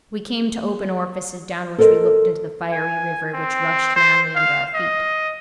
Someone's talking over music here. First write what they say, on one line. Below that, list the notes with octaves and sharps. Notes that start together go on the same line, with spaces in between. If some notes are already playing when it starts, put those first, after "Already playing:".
We came to open orifices down which we looked into the fiery river which rushed madly under our feet.
A4 A#4 C5 D#5
G#5
C4
C5
F5
D#5